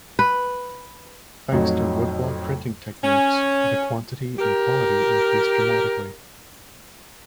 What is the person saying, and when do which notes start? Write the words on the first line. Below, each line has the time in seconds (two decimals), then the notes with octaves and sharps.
Thanks to woodblock printing techniques, the quantity and quality increased dramatically.
0.19 B4
1.52 F2 A2 F#3 D#4
3.03 C#4
4.39 G4 A#4